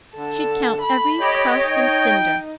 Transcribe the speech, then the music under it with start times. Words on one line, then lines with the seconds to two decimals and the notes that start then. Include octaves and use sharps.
She'd count every crust and cinder.
0.15 D3 A4
0.81 B5
1.20 G4 C#5 D#5
1.66 D#4 G5